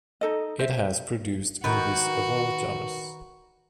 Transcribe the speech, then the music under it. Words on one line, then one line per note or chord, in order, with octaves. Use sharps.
It has produced movies of all genres.
D#4 A4 D#5
C5 E5
D#3 F#4 B4